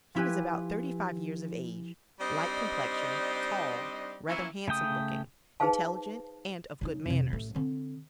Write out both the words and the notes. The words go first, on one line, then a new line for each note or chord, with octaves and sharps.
He was about thirty-five years of age, light complexion--tall--rather handsome-looking, intelligent, and of good manners.
F3 E4 G4 B4 G#5
G3 C4 D4 D#4 C5 D#5
E3 A#3 C#4 E4
C#3 A3 G5 D#6
D#4 G#4 B4 C5 F5 A5
C#3 D#4
F2 C3
A1 A3
D3 C4